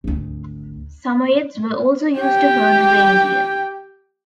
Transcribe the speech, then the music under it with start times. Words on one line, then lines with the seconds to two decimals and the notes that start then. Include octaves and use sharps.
Samoyeds were also used to herd reindeer.
0.04 G#1 D2
2.19 G4 G5